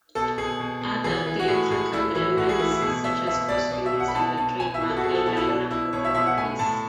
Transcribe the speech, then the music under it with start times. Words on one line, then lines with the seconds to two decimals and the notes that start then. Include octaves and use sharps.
Other theatrical elements, such as costumes and the trademark eyeliner, were commonplace.
0.15 B2 A4
0.38 B2 G#4
0.60 B2
0.81 B2
1.04 E3 G#4
1.27 E3
1.39 F#4
1.48 A2 G#4
1.70 A2 G#4
1.93 A2 E4
2.15 E3 E4
2.37 A2 F#4
2.49 G#4
2.59 E3 E4
2.71 E4
2.81 B2 G#4
3.04 B2 E5
3.27 B2 E5
3.48 B2 D5
3.70 B2 D5
3.86 E5
3.93 B2
4.00 F#5
4.08 B5
4.15 B2 A5
4.37 B2 A5
4.60 B2 G#5
4.74 E5
4.81 B2
4.90 A4
4.97 F#4
5.04 B2 G#4
5.14 A4
5.26 B2 E4
5.37 E4
5.49 B2 D4
5.70 B2 E4
5.93 B2 C#5
6.04 E5
6.15 B2 E5
6.26 F#5
6.37 A2 G#5
6.59 A2 A5